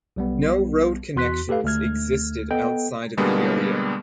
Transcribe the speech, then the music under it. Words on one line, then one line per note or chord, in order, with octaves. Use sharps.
No road connections existed outside of the area.
B1 G3 B3
E2 F#4 C6 F#6 B6
G4 A4 B4 F5
D2 A3 F6 G#6
B3 A4 D#5 G5
B2 D3 G3 G#3 A#3 B3